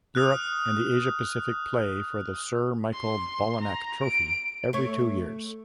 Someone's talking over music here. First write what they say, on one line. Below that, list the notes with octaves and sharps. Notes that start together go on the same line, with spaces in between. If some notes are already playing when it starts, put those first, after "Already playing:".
Europe and the Asia-Pacific play for the Sir Michael Bonallack Trophy every two years.
D#6 F6 F#6
C6
A#5
D7
A3 C#5